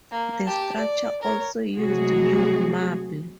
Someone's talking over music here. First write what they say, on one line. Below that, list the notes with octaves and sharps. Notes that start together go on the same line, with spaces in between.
The structure also used Yule marble.
A#3
G4 A5
D5
A#4 C#5
C3 F#3 G#3 A3 F#4 G#4